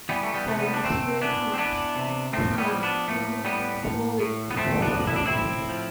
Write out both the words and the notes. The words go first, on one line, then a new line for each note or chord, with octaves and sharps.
There are three tones: high, low and falling.
E3 G3 B3
A3
G3 B3
C3 A3
G3 B3
D4
C3 A3 C4
E3 B3 D4
C4
E3 B3 D4
C3
A2 A3 C4
G3 B3
F3
B3 D4
A2 A3
A2 G3 B3
A2
A2
B3
F3 A3 C4
B3 D4
A2
E4
D4
C4 E4
A2
F3